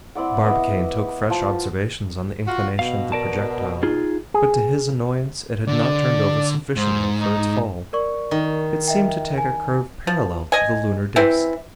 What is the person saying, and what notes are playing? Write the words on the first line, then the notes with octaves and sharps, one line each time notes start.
Barbicane took fresh observations on the inclination of the projectile, but to his annoyance it had not turned over sufficiently for its fall; it seemed to take a curve parallel to the lunar disc.
C4 E4 D5 F#5
B3 D#5 E5 D6
F3 A5
F4 F#4
B2 F5
A#4 D5 A5
D#4 F4 G#4
G#4
D3 D5
G#2 C5
D#4
A#4 D5 C#6
D#3
D#5 E5 G5
G#5
F3
D#5 G#5
E3 C4 E4